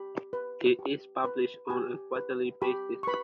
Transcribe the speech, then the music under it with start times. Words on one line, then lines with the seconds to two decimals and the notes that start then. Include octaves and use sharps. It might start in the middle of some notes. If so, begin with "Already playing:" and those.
It is published on a quarterly basis.
Already playing: G4 B5
0.33 B4
0.79 G4
1.24 B4
1.70 G4 G#5
2.16 B4
2.62 G4 B5
3.03 C#6
3.07 B4 B5